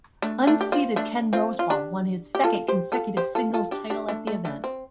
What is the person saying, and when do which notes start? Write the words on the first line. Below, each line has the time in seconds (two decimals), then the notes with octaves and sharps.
Unseeded Ken Rosewall won his second consecutive singles title at the event.
0.22 A3 D4
0.47 A3 D4
0.61 G4
0.72 C4 F4
0.96 A3 D4
1.33 C4 F4
1.59 F4
1.70 D4 G4
2.35 G4
2.44 F4 A4
2.68 G4 C5
2.92 F4 A4
3.17 G4 C5
3.35 F4 A4
3.54 F4 A4
3.71 D4 G4
3.90 D4 G4
4.08 A3 D4
4.27 A3
4.45 A3 D4
4.64 C4